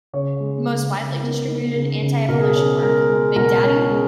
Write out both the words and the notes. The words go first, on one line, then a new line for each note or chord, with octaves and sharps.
The most widely distributed antievolution work, Big Daddy?
C#3 C#5
G#3
C#3
C#3
B3 A#4
D#4
C#3
C#3
B2 A#4
G#4
C#4
G#4
G#3 A#4
G#3
B2 A#4
C#4
G#3